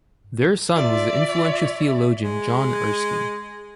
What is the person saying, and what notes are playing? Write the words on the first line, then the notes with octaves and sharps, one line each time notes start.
Their son was the influential theologian John Erskine.
F4 D5 E5
G#3